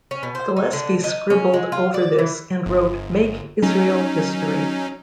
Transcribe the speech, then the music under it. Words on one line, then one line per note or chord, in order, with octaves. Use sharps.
Gillespie scribbled over this and wrote Make Israel History.
C#4
B2
C5
D#4
D3
D#4
C#4
G#3
F4
D5
E3
G1
F#3 C#4 D#4